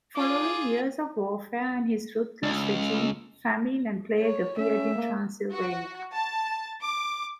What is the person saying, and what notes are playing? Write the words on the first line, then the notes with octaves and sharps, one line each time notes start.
Following years of warfare and his ruthless regime, famine and plague appeared in Transylvania.
F4 G#4 D6
C#2
C#5
C#4 E5
A#3
F#4
A5
D6